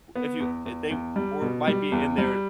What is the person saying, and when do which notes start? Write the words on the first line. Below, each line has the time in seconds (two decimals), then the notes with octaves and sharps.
w if you if they we're might be in there,
0.16 B3
0.40 E2
0.65 E2
0.91 E2
1.16 G3
1.41 B2
1.67 G3
1.92 E2
2.18 G3